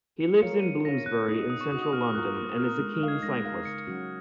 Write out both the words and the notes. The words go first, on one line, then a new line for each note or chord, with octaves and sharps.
He lives in Bloomsbury in central London and is a keen cyclist.
B3 C#7
F4 A#4 C#5 F5 C#7
D#7
B3 C#7
F4 A#4 C#5 F5 A#6
B3 F#6
D#4 F#4 D#6
B3 D#6
C#6
D#4 F#4 D#6
D#6
A#3 F6
F4 A#4 F#6
A#3 C#6
D#6
F4 A#4 F6
D#6
G#3
F6
D#4 A#4 F5
G#6
G#3 A#6
D#4 A#4 F5
C#3 C#7
F#3 C#4 F#4